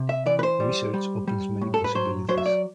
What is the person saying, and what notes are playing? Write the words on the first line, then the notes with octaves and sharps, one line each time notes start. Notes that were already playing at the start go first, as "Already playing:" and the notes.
Research opens many possibilities.
Already playing: C3
E5
E3 D5
B4
C5
G3
G3
G3
A2
A4
B4
F#3 C5
F#3 C5
E5
D5